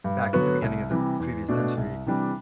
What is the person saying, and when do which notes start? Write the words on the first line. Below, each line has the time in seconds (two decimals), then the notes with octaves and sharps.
back at the beginning of the previous century,
0.04 G2
0.33 D3 F#3 B3 F#4
0.62 C2
0.91 C3 E3 G3
1.20 E2
1.48 B2 A3 D4 F#4
1.77 C2
2.06 C3 E3 G3 D4